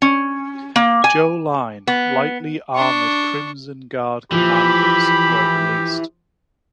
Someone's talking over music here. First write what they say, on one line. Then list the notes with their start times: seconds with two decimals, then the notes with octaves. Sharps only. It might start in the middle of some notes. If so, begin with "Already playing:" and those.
Joe line, lightly armored Crimson Guard Commanders were released.
0.02 C#4
0.76 A#3
1.04 G#5
1.87 B3
2.75 D4 C#6
4.32 E3 F3 G4 B5